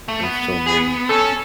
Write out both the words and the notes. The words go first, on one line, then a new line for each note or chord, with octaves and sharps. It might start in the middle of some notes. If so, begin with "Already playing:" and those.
There's so many.
A3
B3
G#4
C#4 A4